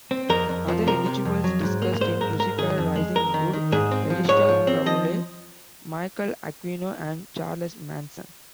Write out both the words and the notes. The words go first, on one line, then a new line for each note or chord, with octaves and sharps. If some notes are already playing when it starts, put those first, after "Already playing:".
Other individuals discussed in "Lucifer Rising" include Aleister Crowley, Michael Aquino, and Charles Manson.
C4
F2 A#4
F2
F3
C3 A#4
C3
F2
F#3
G#2
A#3
G#2 C5
G#2 A#4
G#2 A#4
D#3 G#4
F2
G#3
F2 A#4
D#3
D#3
G#2 G#4
C4
F3
G#2 C#5
F3
C4
F3 D#5